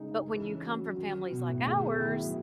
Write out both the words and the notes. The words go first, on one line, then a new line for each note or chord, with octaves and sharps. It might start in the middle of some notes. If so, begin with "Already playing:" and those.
but when you come from families like ours
Already playing: C#3 G#3 D#4
C#3
E3 A4
C#4
F#4
F#3
D#3 F#4
F#3
B2 B3
A2
D#3 G#4
B3
D#3 E4
F#3